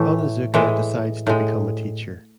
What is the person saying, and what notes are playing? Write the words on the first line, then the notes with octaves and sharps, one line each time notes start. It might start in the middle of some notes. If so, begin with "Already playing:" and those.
Onizuka decides to become a teacher.
Already playing: A2 E3 A3
A2 E3 G#3
A2 G#3